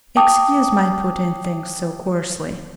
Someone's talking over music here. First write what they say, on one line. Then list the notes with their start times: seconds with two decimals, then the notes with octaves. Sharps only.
Excuse my putting things so coarsely.
0.17 G5 A5 D6 D#6